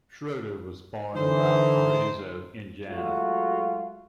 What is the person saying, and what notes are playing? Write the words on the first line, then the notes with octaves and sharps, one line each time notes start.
Schroeder was born in Valparaiso, Indiana.
D3 E3 D#4 C5
F#3 G#3 A3 F4 F#4